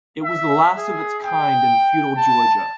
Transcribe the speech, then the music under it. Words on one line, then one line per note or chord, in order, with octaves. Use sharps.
It was the last of its kind in feudal Georgia.
E5
G#4
G5
A5